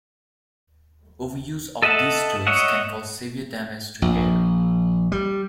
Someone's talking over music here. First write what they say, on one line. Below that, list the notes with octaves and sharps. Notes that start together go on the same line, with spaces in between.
Overuse of these tools can cause severe damage to hair.
A4 D#5 E5 F#5 A5
C#5 D#5 E5 F#5
A#1
G3